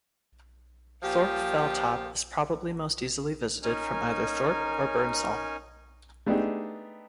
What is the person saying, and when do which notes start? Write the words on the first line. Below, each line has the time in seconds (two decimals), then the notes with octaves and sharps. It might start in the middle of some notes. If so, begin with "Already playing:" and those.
Thorpe Fell Top is probably most easily visited from either Thorpe or Burnsall.
1.03 A#2 F3 G4
3.63 C#4 D#4 A#4 G#5
6.26 A3 B3 D4 D#4 G4 G#4